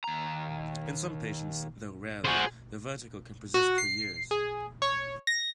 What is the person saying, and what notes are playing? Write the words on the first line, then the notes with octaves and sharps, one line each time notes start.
In some patients, though rarely, the vertigo can persist for years.
D#2 A#5
F#4 G#4 C5 G#5
F#4
C7
G#4
C#5
A#6